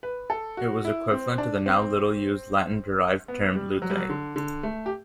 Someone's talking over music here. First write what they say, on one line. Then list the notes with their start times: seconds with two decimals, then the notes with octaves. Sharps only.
It was equivalent to the now little-used Latin-derived term lutite.
0.03 B4
0.30 A4
0.57 F#4
0.85 E4
1.11 C4
1.38 D4
1.66 C4
3.28 B3
3.55 G3
3.82 F#3
3.90 G3
3.97 F#3
4.09 D3
4.36 D3
4.63 A3
4.86 G4